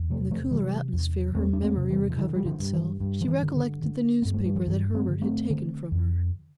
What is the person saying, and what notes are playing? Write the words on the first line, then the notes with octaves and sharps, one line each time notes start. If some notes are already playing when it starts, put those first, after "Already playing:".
In the cooler atmosphere her memory recovered itself; she recollected the newspaper, that Herbert had taken from her.
Already playing: E2
C3 F3 A3
F3 A3
C3 E3 G3
E2
E2 A3 C4
D4
A3 C4
C3
E3 G3
F3
D3 E3
G3
D3 F3
G2
E3
G2
F3
E3
D3
D3
D3
G2 B3
A3
G3
F3
G2 E3
A3 C4
D3
A3 C4
D3
F2